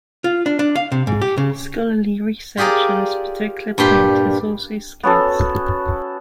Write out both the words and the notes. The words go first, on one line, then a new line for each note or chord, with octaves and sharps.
Scholarly research on this particular point is also scarce.
F4
D4
D4
F5
C3
G#2
G4
C#3
F4 G4 G#4 A#4 D5
G2 A#2 G4 C6
B3 C#4 F#4 A4